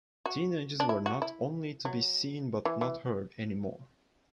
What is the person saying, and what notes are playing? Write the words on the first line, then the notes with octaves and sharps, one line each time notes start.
Teenagers were not "only to be seen but not heard" anymore.
F#4
D4
E4
F#4
E4
F#3
E3
E3